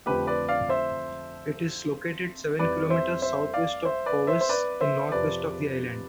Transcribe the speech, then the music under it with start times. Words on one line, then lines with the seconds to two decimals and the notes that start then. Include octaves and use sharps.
It is located seven kilometres southwest of Cowes in the northwest of the island.
0.06 F2 D3 F3 A3 G4 B4
0.27 B4 D5
0.48 D5 F5
0.69 C5 E5
2.59 F2 E3 G3 B4 D5
2.90 C5 E5
3.22 C5 E5
3.54 D5 F5
3.85 C5 E5
4.06 B4 D5
4.27 C5 E5
4.41 C5
4.49 B4 D5
4.81 C5 E5
5.12 F2 C3 F3 B4 D5